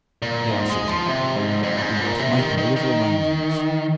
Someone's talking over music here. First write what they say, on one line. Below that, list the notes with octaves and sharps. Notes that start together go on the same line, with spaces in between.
'Now,' says he, 'we must make our little arrangements.
A#2
G#2
G#3
F3
C3
G#2
F2
A#2
G#2
A#2
C3
D#3
D#3
D#3